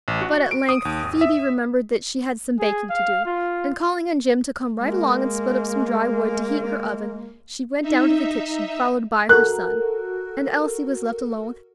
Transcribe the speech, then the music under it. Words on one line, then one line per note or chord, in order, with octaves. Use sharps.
But at length Phoebe remembered that she had some baking to do, and calling on Jim to come right along and split up some dry wood to heat her oven, she went down to the kitchen followed by her son, and Elsie was left alone with her nurse.
A1
F#4
D7
D#6
D#2
G#1
E5
G#4
F5
F4
G#3 A#3
D#4 E5
F#4 A4 A#4 F#6